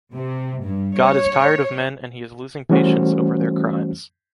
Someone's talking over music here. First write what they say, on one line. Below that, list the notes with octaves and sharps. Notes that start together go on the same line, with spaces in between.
God is tired of men and He is losing patience over their crimes.
C3
G2
C#5
E3 G3 A3 C#4 F#4 C5